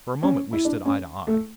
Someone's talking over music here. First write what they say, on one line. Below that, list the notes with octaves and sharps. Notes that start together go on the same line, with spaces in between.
For a moment we stood eye to eye.
C#4
E4
D4
C#4
A3